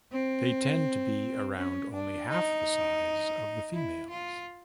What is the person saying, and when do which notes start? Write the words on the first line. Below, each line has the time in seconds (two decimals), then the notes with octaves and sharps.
They tend to be around only half the size of the females.
0.12 C4
1.57 C#4
1.93 D4
2.29 D#4
3.73 E4
4.10 F4